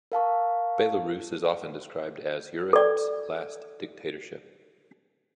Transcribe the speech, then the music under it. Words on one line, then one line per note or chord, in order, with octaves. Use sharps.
Belarus is often described as "Europe's last dictatorship".
A#4 F5 A5 C#6
A4 D5